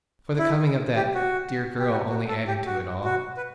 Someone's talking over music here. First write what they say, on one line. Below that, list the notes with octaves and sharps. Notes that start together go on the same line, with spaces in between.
For the coming of that dear girl only added to it all.
E4
G4
F#4
G4
F#4
F#4
A4
G4
F#4
F#4
B4